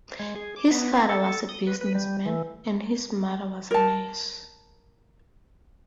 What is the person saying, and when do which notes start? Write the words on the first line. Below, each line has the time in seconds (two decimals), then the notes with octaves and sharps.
His father was a businessman, and his mother was a nurse.
0.19 G#3
0.35 G#4
0.56 D6
0.71 B3
0.95 C4
1.09 A4
1.49 D#6
1.67 B4
1.81 B4
1.95 G3
2.26 E3
3.71 A#4 A5